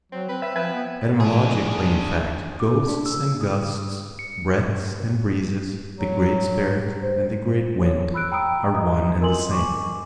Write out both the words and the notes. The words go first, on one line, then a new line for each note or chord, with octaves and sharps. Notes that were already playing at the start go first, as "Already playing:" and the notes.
Etymologically, in fact, ghosts and gusts, breaths and breezes, the Great Spirit and the Great Wind, are one and the same.
F#3 C4
C4 B4
B4 E5
F3 B4 E5 G5 G#5
B3
D4 G#4
D6
D4
E6
D#6
C#7
G2
F#3
C5
C#5
B5 E6 F#6 D7
G5 A#5 B5 D#6 E6 D7
D#5 A#5 D#6
A#4 D#5 G#5 C6 F#7
G#5 C#6 D6